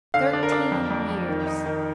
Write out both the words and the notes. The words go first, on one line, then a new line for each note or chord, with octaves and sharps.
Thirteen years.
D3 F5
D4
A#4
D4
F2
F2
F2
D#3
D#4
D#3